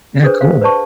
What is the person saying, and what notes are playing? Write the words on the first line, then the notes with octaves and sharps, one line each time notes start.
Yeah, cool.
D4 G#4 A4 B4 C5
C5 F5
B4 C5 D5 A5 C#6